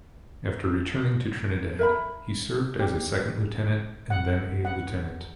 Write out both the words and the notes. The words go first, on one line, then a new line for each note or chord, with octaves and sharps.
After returning to Trinidad he served as a second lieutenant and then a lieutenant.
A#4 E5 B5
G4
F#5
F#5